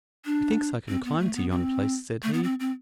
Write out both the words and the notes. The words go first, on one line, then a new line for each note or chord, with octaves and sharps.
"Methinks I can climb to yon place," said he.
D4
C4
B3
A3
B3
C4
A3
B3
C4
C4